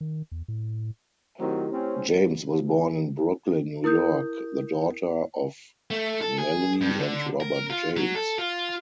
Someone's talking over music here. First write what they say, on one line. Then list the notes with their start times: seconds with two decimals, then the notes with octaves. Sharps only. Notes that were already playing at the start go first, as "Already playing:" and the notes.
James was born in Brooklyn, New York, the daughter of Nellie and Robert James.
0.01 D#3
0.32 E2
0.48 A2
1.40 D#3 F#3 A3 C4 E4 G4
1.72 C4 C#4
3.84 E4 A#4 D#6 G6
5.91 A3
6.21 A4
6.38 G#4
6.81 G2
7.00 D3
7.40 A#4
7.70 F4
7.97 F#3
8.15 A4
8.39 F4